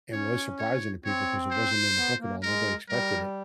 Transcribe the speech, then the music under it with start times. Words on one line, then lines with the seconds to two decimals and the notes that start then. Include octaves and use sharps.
and was surprising to people 'cause it wasn't in the book at all, nobody expected it.
0.12 C#4 C#5
0.59 C#5
1.05 C4 C#5
1.51 C5
1.96 B3
2.20 A#3
2.42 G#3 A#4
2.89 G3 A#4